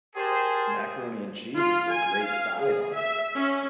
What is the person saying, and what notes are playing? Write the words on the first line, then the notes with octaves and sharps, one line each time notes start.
macaroni and cheese is a great side on it.
G4 G#4 A#4 C5 A5
F4
G#5
F5
G#4
E5
C#4